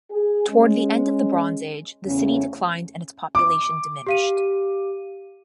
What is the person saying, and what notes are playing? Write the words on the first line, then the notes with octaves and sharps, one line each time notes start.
Toward the end of the Bronze Age, the city declined and its population diminished.
G#4
G#3 C#4
E2 C#3 A3 C#4
D6
G4 F5 D#7